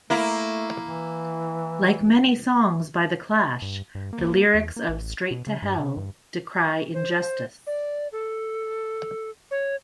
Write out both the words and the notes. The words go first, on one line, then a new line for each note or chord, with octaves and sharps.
Like many songs by the Clash, the lyrics of "Straight to Hell" decry injustice.
A3 A#3 E4
E3
G2
G2
A#3
E2
A#3
A1
B2
C#3
G2
C3
G2
C5
D5
A4
C#5